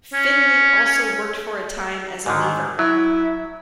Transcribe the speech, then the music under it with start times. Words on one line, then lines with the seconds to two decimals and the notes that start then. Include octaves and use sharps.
Findley also worked for a time as a weaver.
0.14 C#4
2.26 G#2 D3 D#3
2.79 F#3 E4